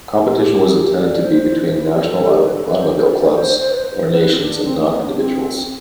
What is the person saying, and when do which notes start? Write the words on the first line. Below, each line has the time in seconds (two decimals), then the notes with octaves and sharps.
Competition was intended to be between national automobile clubs, or nations, and not individuals.
0.26 G4
0.97 D5
1.22 C5
1.69 D4
1.76 E4
1.85 F4
1.93 G4
2.01 A4
2.27 G4
2.43 B4
2.54 A4
2.67 B4
2.79 C5
2.93 C5
3.06 D5
3.33 C5
3.58 C5
3.71 B4
3.85 C5
4.07 A4
4.11 B4
4.31 C4
4.38 D4
4.64 C4
4.77 A3
4.91 B3
5.04 D4
5.16 C4